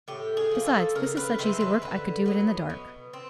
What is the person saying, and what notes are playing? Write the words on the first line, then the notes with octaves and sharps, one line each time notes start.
"Besides, this is such easy work I could do it in the dark."
A2 G4
G#4
F3 A#3
A4
C#3 A#4
B4
E3 G#3 C4 C5
B4
D3 B4
F#3 B3
B2
C4